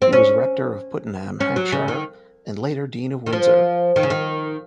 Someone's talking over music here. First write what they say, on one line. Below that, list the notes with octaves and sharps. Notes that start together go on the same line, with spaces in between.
He was Rector of Puttenham, Hampshire, and later Dean of Windsor.
C4
C#4
C#4
F#3
C#3
D#3
D#3
F3
D#3
C#3
D#3